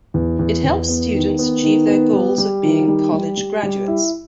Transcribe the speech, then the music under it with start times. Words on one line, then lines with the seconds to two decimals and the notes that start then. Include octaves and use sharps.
It helps students achieve their goals of being college graduates.
0.14 E2
0.39 E2
0.64 E2
0.89 B3
1.14 D#3
1.39 B3
1.63 D#3
1.88 B3
2.13 G3
2.38 G3
2.63 D#3
2.88 G3
3.12 G3
3.37 G3
3.63 G3
3.88 E4